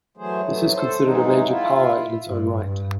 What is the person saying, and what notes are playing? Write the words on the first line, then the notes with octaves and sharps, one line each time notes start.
This is considered a major power in its own right.
E3 F#3 A3 G#4 C5
F#3 A3 B3
A4 C5
E3 F#3 G#3 D#4
E4 F4
G2
G2